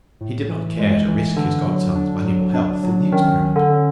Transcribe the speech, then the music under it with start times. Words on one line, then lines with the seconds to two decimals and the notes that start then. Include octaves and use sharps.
He did not care to risk his godson's valuable health in the experiment.
0.21 A2
0.50 E3
0.79 G#3
1.08 E3
1.37 D3 D4
1.66 F#3
1.95 D4
2.24 F#3
2.53 D4
2.83 F#3
3.12 D#3 C#4
3.41 C#4
3.56 D3
3.70 C#4